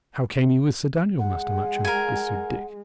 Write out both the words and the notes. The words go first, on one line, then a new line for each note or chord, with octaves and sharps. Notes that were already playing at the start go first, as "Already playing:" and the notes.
"And how came ye with Sir Daniel, Master Matcham?" pursued Dick.
G#3 F#5
A#4 G#5